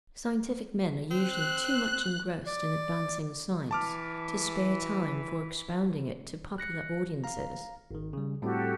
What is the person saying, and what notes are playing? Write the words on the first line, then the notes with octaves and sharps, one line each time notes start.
Scientific men are usually too much engrossed in advancing science to spare time for expounding it to popular audiences.
C4 F#6
D5
E3 A5 D6 F6
F#6 A#6 C#7
F5 A#5
G#1 D#3
C#3 G3
A2 G3 C4 F#4 G4 A4